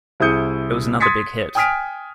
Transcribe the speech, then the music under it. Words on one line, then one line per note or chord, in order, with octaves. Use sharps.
It was another big hit.
C2 E4 G#4 D#6 G6 C#7
C6 D#6 G#6 A6 B6 C#7
G5 G#5 D#6 F6 B6 D7